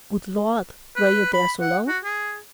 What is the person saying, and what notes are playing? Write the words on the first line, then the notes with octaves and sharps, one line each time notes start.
"Good Lord--were you there so long?"
B4
B5
F#5
F#4
G#4